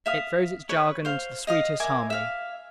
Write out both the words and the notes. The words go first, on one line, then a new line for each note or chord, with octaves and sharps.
It throws its jargon into the sweetest harmony.
E5 F5 D#6
B4 C#5 B5
C5 F5
D#5 F5 D#6
A#4 E5 G#5 D6
E5 F5